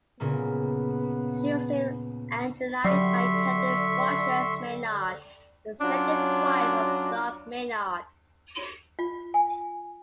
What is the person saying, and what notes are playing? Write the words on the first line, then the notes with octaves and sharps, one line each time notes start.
She was named Angeline by Catherine Broshears Maynard, the second wife of Doc Maynard.
A#2 C#3 A#3 B3
D3 F#3 G3 E5 C6 C#6
F#3 C#4 D4 F4
F4
G#5